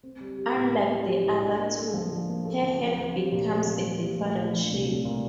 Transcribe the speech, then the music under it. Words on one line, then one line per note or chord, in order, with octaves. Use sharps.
Unlike the other two, her hat becomes a different shape.
C4
G3
G4
A2
C4
G3
G4
A2
D4
A#3
A4
F3
D4
A#3
A4
F3
C4
F3
G4
A#2
C4
F3
G4
A#2
A3
A#2
D4
C2
A3
A#2